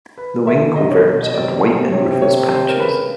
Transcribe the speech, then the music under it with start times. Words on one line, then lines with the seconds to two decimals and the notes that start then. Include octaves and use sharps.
The wing coverts have white and rufous patches.
0.18 B4
0.47 E3 E5
0.76 C3 D#5
0.90 C#5
1.05 B2 C#5
1.22 D#5
1.34 C3 D5
1.63 C3
1.92 C3 C#5
2.22 C#5
2.50 C5
2.69 A#4
2.79 C#3 B4